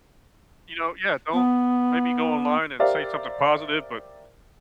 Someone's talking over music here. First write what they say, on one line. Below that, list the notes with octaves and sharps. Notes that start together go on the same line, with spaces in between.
You know, yeah, don't maybe go online, and say something positive, but
B3
G4 A#4 C5 D5 E5 F5